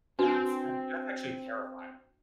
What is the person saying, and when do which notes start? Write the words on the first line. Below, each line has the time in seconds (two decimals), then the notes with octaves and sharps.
That's I mean, that's actually terrifying.
0.19 C4 D4 F#4 B4